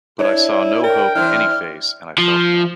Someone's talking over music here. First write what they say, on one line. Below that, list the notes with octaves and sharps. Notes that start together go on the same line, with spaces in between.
But I saw no hope in any face, and I felt none.
D4 E4 C#5
A#4 G5
E3 C4 D4 E4 F6
F3